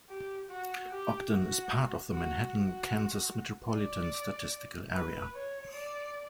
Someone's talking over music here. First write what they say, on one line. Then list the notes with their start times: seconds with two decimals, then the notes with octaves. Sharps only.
Ogden is part of the Manhattan, Kansas Metropolitan Statistical Area.
0.10 G4
0.50 F#4
0.91 G4
1.32 F#4
2.12 F#4
2.52 F#4
3.73 D5
4.94 B4
5.35 C#5
5.74 D5